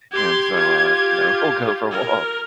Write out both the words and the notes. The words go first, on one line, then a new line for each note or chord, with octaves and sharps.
And so, uh, you know, we'll go for a walk.
G4 C6 G#6
F4 G4
A#4